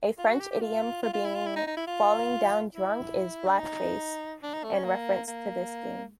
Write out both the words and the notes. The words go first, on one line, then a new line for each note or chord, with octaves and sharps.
A French idiom for being falling-down-drunk is "black faced" in reference to this game.
F4
F#4
G4
G4
F4
F4
F4
E4
F4
E4
D#4
D#4
E4
F4
E4
D4
D#4
D4
D#4
A3
C#4
A#3
A#3